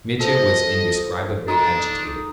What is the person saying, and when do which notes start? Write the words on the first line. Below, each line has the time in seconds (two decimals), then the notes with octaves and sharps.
Mitya was indescribably agitated.
0.20 F3 A4 D#5
1.48 D4 D#4 C6